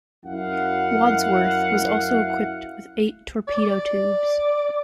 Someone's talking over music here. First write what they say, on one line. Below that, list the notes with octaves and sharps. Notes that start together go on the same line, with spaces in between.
"Wadsworth" was also equipped with eight torpedo tubes.
F#2 E4 F5 F#5
D5